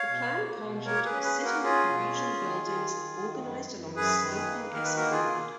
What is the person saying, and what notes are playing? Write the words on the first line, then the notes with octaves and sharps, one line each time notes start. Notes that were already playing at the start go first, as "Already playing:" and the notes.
The plan conjured a city of Parisian buildings organized along a sloping esplanade.
Already playing: C#5 F5
B2
A#3
B2
A#3 A#4 C#5
G#4 B4
C#4
G#4 B4
A#3
F#4 A#4
C#4 F4 G#4
B2
C#4
D#3
D#3
D#3
D#3
F#2
F#2
F#2 G#4 B4
D#3
G#4 B4
A#3
D#3 A#4
B4
A#3 F#4 A#4
F4 G#4
A#3